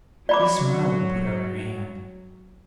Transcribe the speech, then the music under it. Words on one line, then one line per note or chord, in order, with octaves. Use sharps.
She smiled and put out her hand.
F#3 D5 B5 D6